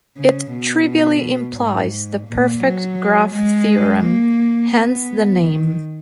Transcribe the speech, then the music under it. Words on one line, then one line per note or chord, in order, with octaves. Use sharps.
It trivially implies the perfect graph theorem, hence the name.
C#3
B2
G#2
A#2
F#3
G#3
A#3
B3
D#3